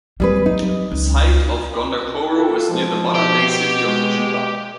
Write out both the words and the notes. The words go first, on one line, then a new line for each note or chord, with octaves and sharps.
The site of Gondokoro is near to the modern-day city of Juba.
F#3 G3 C4 G#4 B4
D#4
C#2
F4 A4
F3 G#3
B2 G4
G#3